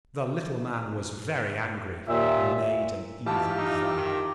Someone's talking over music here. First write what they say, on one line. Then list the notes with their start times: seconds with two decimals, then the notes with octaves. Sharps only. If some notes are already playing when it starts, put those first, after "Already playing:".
The little man was very angry, and made an evil vow.
2.08 D#2 A#2 E5
3.26 B2 E3 F4 G4 A5
3.58 D#4
3.96 D#3